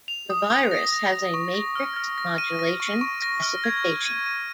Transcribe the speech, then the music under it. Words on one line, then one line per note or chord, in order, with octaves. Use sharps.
The Virus has a Matrix Modulation specification.
F7
D#6
D#6
A#6
A#6
A#6
C#6
A#6
F6
F6
A#6
D#7
A#6
C#6
C#6
A#6
F6
G#6
D#7
D#7
D#7